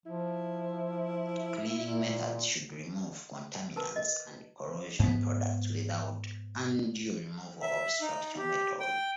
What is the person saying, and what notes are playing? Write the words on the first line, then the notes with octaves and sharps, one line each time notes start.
Cleaning methods should remove contaminants and corrosion products without undue removal of structural metal.
F3 E4
A#2
A#4 B4 A5
D#5
G#2 B3
E5
D#4
G4
G5